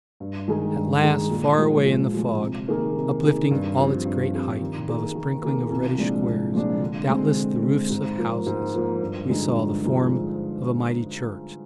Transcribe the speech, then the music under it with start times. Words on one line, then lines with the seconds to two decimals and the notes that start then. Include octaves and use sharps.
At last, far away in the fog, uplifting all its great height above a sprinkling of reddish squares, doubtless the roofs of houses, we saw the form of a mighty church.
0.20 G2
0.48 D#3 G#3 D#4 G#4
0.76 G2
1.03 D#3 G#3 D#4 G#4
1.30 A#2
1.58 F3 G#3
1.85 A#2
2.13 F3 G#3
2.40 C3
2.68 D#3 A#3 D#4 G#4
2.96 C3
3.23 D#3 A#3 D#4 G#4
3.51 G2
3.78 F3 C4 G4
4.05 G2
4.33 F3 C4 G4
4.61 D#3
4.88 A#3 D#4 G#4
5.15 D#3
5.43 A#3 D#4 G#4
5.70 C2
5.98 A#2 F3 G#3 D4
6.25 C2
6.53 A#2 F3 G#3 D4
6.80 D3
7.09 G#3 C4
7.36 D3
7.63 G#3 C4
7.90 G#2
8.18 F3 A#3 F4
8.46 G#2
8.74 F3 A#3 F4
9.01 G2
9.28 D3 F3 G#3 D#4
9.55 G2
9.84 D3 F3 G#3 D#4